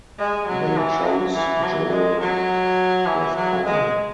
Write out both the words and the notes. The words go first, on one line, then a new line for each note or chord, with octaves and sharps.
They chose Joel Gascoyne.
G#3
F#3
E3
F#3
E3
F#3
G#3
F#3
E3
F#3
G#3